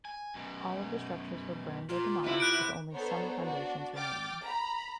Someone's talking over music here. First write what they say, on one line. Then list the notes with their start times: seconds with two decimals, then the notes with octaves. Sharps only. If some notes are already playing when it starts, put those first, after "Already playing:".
All of the structures were burned or demolished, with only some foundations remaining.
0.05 G#5
0.34 F#2 B2
1.89 A#2 F4
2.24 C3 B3 E4
2.40 F#6 D7
2.93 B3 D4 A4 C5 C#5 A#5
3.43 D4 F#4
3.95 G5 D6 F6 A6
4.45 A#5 B5